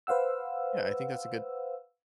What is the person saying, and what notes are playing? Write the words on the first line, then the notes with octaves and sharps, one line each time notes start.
Yeah, I think that's a good
B4 C5 F5 F#5 E6